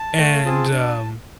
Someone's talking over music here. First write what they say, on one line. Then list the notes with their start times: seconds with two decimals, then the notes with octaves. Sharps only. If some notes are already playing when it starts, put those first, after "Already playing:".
and, um,
Already playing: A5
0.18 A3
0.45 C4 F4 G#4
0.72 D4